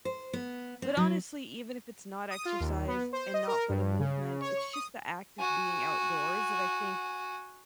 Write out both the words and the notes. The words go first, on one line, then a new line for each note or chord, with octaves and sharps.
but honestly, even if it's not exercise, and not for the movement, it's just the act of being outdoors that I think
C5
B3
C4
F#3
D#6
F4
D#2
B3
C5
D#5
A#4
G2
C#3
C#5
C#6
D#6
F#4 G#5